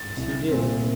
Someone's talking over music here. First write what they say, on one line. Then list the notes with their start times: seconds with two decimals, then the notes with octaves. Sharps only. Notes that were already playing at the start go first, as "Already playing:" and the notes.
Yes, he did.
Already playing: A6
0.17 C2
0.51 A#2 A3 C4